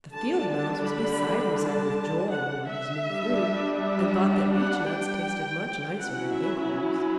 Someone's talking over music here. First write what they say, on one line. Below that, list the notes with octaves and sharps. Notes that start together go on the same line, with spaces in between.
The Field Mouse was beside himself with joy over his new food, and thought that Beech nuts tasted much nicer than acorns.
D3 G3 D4 A5
A5
B5
A5
F#5
E5
G3
D4
E5
F#5
G5
F#3 C#4 E4 F#5
E5